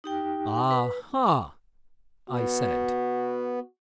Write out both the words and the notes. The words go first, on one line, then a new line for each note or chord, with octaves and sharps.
"A-ha!" I said.
D#4 G4 G5
B4
B3 F#4